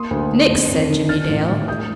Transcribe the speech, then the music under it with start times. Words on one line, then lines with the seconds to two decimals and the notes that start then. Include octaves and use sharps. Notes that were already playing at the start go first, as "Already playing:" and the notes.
"Nix!" said Jimmie Dale.
Already playing: A#3 C6 D#6
0.11 D2
0.31 D3
0.50 F2
0.70 F2
0.89 D#3
1.09 D4 F6 A6
1.29 A1
1.49 A2
1.68 G3 D#6 G6